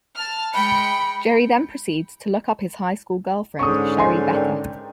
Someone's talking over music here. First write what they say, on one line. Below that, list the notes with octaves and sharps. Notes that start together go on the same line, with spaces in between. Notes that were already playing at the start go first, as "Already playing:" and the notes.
Jerry then proceeds to look up his high school girlfriend, Sherry Becker.
A5 F6
G#3 G5 B5 C#7
G#2 D3 C#4 C#6 D#6
D#5 G#5 C6
A#4 D5 G5